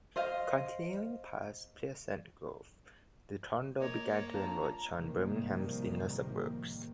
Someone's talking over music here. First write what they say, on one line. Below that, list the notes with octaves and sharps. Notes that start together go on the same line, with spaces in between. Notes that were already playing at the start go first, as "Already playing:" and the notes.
Continuing past Pleasant Grove, the tornado began to encroach on Birmingham's inner suburbs.
C5 D#5 F5
A#3 C#5 D#5
D4 F4 A5 A#5
A2 C3 D#3 F3 G3 A#3